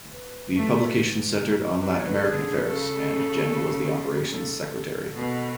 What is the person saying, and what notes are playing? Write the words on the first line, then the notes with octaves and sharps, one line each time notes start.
The publication centered on Latin American affairs, and Jenny was the operations Secretary.
B4
A3
F#3 B4
D5
C#5
B4
A4
D3 G#4
B4
C#3 A4
A4
B2